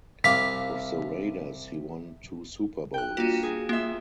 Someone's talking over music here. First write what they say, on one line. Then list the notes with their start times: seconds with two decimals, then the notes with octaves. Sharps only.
With the Raiders he won two Super Bowls.
0.24 C2 F5 D6 B6
2.94 G5 F#6
3.17 G2 A#3 F4 F#4
3.43 G#4
3.69 A#3 F4 E5